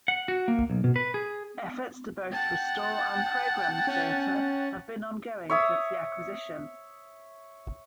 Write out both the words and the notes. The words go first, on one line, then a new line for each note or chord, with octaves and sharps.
Efforts to both restore and program the theater have been ongoing since the acquisition.
F#5
F#4
A#3
B1
B2
B4
G#4
F#5 G5 A5
C#4
C#5 E5 D#6